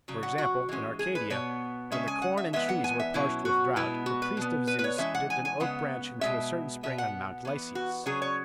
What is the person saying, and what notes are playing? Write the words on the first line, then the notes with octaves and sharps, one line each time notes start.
For example, in Arcadia, when the corn and trees were parched with drought, the priest of Zeus dipped an oak branch into a certain spring on Mount Lycaeus.
C#3 F#3
F#5
F#4
E3 G#3 C#4
G#4
B4
B2 B3 C#5
C#3 G#3 C#4 E5
G#5
F#5
E5
E3 G#3 B3 E5
F#5
G#5
E5
B2 F#3 C#4 E4
F#4
B2 G#3 B3 E4
F#4
B4
B2 B3
B4
B4
C#5
E3 G#3 C#4 E5
F#5
G#5
G#5
C#3 G#3 B3 F#5
B2 G#3 C#4 E5
B2 B3 E5
F#5
E3 B3
F#4
C#3 F#3 C#4 G#4
C#5